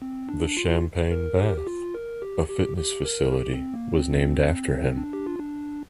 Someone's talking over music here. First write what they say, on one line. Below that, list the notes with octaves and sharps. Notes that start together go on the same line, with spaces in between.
The Champagne Bath, a fitness facility, was named after him.
C4
D4
F4
A#4
G4
A#4
G4
F4
A#4
G4
G4
G4
A#4
G4
C4
A#3
C4
D4
G4
F4
D4